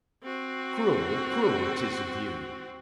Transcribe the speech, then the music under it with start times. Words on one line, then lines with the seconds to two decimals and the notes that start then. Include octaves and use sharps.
"Cruel, cruel, 'tis of you!"
0.24 C4 F#4